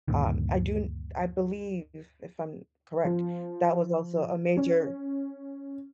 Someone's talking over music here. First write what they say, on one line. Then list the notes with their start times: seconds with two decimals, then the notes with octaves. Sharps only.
Um, I do n I believe, if I'm correct, that was also a major
0.08 D2 G2 A#2 D#3
3.05 F3
4.57 C#4